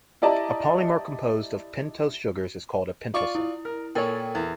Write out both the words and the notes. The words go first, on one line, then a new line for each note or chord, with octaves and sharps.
A polymer composed of pentose sugars is called a pentosan.
E4 G4 D5 D#5 A5 A#5
F4 D5 C#6
E4
A#4
A#2 A4 A#4 C#5 G5
E2